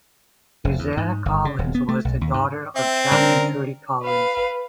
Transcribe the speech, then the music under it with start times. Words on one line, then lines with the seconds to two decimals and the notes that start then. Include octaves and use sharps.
Suzanne Collins was the daughter of Jack and Trudy Collins.
0.65 F1
0.79 E2
0.97 G#2
1.26 G1
1.45 C#3
1.59 D#1
1.75 B3
1.89 A3
2.05 B1
2.21 D#2
2.34 G#2
2.76 C4 E5
3.12 D3 C#4 D4 A#4
4.02 B4 F5